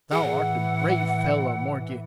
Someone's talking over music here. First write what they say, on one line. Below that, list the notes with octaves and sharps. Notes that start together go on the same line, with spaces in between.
Thou art a brave fellow, mordioux!
A2 E3 G#4 F#5